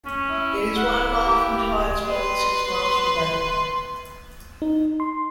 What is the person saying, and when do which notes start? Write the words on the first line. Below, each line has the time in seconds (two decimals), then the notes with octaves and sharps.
It is one mile from Tideswell and six miles from Bakewell.
0.05 C#4
0.28 E4
0.77 F#5
1.26 G4
2.06 B4 C6
4.62 D#4
5.00 C6